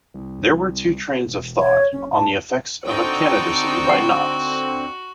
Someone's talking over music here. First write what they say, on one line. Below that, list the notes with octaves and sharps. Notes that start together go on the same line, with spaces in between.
There were two trains of thought on the effects of a candidacy by Knotts.
C2
E1
C#5
F#1 C#4
A2 A5
D3 C4 D#4 F#4 D5 G5
F#5